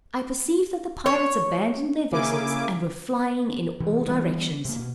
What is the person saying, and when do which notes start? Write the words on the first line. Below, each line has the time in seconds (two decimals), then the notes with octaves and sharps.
I perceived that the pirates abandoned their vessels, and were flying in all directions.
1.06 C#5
2.11 C#3 A#3 E4 G#5 D6
3.80 C3 E3
4.07 E3 G3 B3
4.65 C3 A#3
4.79 B2